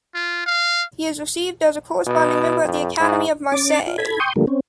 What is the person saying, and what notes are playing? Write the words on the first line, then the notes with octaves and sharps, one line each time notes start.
His is received as a corresponding member at the Academy of Marseille.
F4
F5
B2
F2
G#2
C#4 D6 A6
F4
A4 B5 G#6
G5 C6 C#6 D#6 G6
D3 F3 G3 A3 A#3
C4 C#4